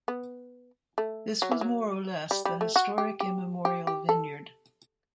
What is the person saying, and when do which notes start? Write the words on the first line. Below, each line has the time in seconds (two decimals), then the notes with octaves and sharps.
This was more or less the historic, immemorial vineyard.
0.08 B3
0.98 A3
1.42 F#3
1.52 E3
1.61 F#3
2.31 G3
2.45 G3
2.61 A3
2.76 F#4
2.98 G4
3.20 G4
3.65 G4
3.87 G4
4.09 A4